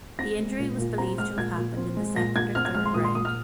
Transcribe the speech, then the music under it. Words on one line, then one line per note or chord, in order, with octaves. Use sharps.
The injury was believed to have happened in the second or third round.
C4 A#6
G#3
A#2
A#2
C4 A#5
G#3 F6
A#2 G#6
A#2
C4
G#3
A#2 A#6
A#2 G#6
C4 F6
G#6
G#3 F6
C6
A#2 D#6
C6
A#2 D#6
F6